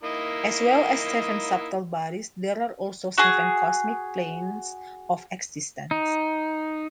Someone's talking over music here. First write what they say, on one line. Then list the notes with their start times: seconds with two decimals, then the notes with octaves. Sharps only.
As well as seven subtle bodies, there are also seven Cosmic planes of existence.
0.03 A#3 D#4 E4
3.18 F#4 G#4
5.91 D#4